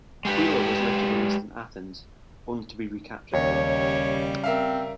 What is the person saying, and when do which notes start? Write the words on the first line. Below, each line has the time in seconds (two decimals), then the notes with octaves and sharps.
Wheeler was later released in Athens only to be recaptured again.
0.25 G#3 G4 B4
3.34 D#2 C#3 G3 C#5
4.44 C4 A#4 E5 F5